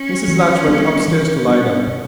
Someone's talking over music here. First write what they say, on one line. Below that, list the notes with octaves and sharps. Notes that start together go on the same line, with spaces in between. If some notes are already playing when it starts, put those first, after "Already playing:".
Mrs. Latch went upstairs to lie down.
Already playing: C#4
E3
G3 B3 D4
E3 C#4
G3 B3 D4
B2